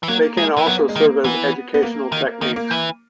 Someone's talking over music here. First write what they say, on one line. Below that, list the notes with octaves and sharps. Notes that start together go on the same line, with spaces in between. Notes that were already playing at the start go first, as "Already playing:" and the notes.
They can also serve as educational techniques.
E3
F#3 A#3
G#3
E3
F#3 B3
A#3
G#3
D#3
A#3
E3 B3
B3
A#3
D#3
D#3 A#3
A#3
E3